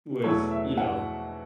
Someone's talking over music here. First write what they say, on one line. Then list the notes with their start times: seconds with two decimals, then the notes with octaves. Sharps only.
with, you know
0.24 E2 B2 F#3 A3 C#5
0.51 E5
0.77 F#5